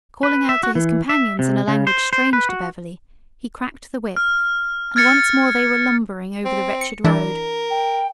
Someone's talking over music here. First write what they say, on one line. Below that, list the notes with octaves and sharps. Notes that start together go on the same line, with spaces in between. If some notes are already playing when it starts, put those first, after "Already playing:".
Calling out to his companions in a language strange to Beverly, he cracked the whip, and once more they were lumbering over the wretched road.
B4
E5
F#4
E3
E5
C3
C#3
C5
C5
B4
F#4
F6
F6 G#6 A6 C#7
C4
C#7
E3 D4 E4 A#4
G5